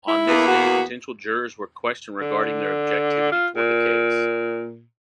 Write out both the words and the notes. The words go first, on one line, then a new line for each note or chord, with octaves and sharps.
On this day potential jurors were questioned regarding their objectivity towards the case.
E4
E2 A#3 B3
F#4
D3
F4
A#2